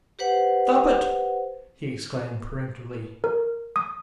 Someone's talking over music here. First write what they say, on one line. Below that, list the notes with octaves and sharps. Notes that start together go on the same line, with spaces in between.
"Stop it!" he exclaimed peremptorily.
G4 B4 C5 F#5
A#4
D#6